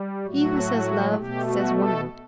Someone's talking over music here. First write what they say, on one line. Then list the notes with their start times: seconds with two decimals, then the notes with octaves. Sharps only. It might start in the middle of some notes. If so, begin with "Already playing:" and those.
He who says love, says woman.
Already playing: G3
0.27 A2 F#3 A3 F#4
1.15 B2 A3 G4
1.45 F#4
1.74 A4